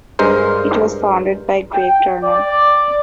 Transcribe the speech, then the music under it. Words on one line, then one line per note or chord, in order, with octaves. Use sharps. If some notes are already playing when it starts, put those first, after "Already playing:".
It was founded by Greg Turner.
G2 G#3 A#4 C5
G5
D5